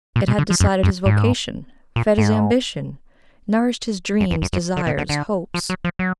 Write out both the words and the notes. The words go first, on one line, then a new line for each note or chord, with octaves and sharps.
It had decided his vocation, fed his ambition, nourished his dreams, desires, hopes.
A#2
B2
D3
F3
F#2
F#2
G#2
A#2
G#2
F#2
F2
F#2
F#2
D3
B2
D3
D3
F3
F#3
F3
F#3